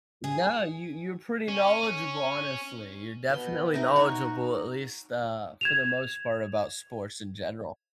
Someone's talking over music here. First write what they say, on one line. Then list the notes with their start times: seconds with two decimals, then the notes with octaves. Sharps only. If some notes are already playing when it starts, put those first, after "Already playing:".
no, you you're pretty knowledgeable, honestly, you're definitely knowledgeable, at least, uh, for the most part about sports in general.
0.24 G#4
1.48 C#4
3.30 B2 B3 C6
3.74 D#4 A#4 D#5 E5
3.96 F#4 C#5 A#5
5.61 G#6 E7 F7